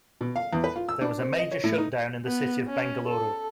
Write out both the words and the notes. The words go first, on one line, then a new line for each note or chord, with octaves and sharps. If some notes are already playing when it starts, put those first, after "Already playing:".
There was major shutdown in the city of Bengaluru.
B2
F5
E2
B4
F4
E6
D4
C4
D#5
C#5
A2
D#4
B3
C#4
A4